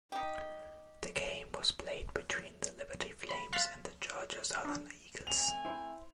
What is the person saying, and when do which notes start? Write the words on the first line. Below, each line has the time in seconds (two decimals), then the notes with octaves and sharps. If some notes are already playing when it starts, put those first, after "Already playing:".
The game was played between the Liberty Flames and the Georgia Southern Eagles.
0.12 D#4 G4
3.29 B5
3.53 F5 C6 F6 F#6 A6 B6
4.65 D4
5.27 A3 C4 G#5 F7
5.65 E4 C5